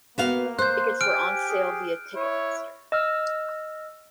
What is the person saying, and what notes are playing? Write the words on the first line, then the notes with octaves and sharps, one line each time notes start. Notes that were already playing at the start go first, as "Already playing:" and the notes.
Tickets were on sale via Ticketmaster.
A#3 B3 F#4 F5
C5 C6 F#6 G6
G4 G#5 F6 D7
G#4
E4 C#5
D#5 E6 F6